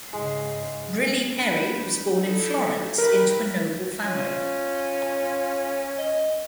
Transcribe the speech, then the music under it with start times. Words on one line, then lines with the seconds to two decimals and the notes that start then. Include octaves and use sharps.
Brilli-Peri was born in Florence into a noble family.
0.13 G#2 C#3 G#3
1.33 D4 B4
2.21 D#4 E4 A4
2.98 E4 G4 A#4 B4
4.05 C#4 F4
5.98 D#5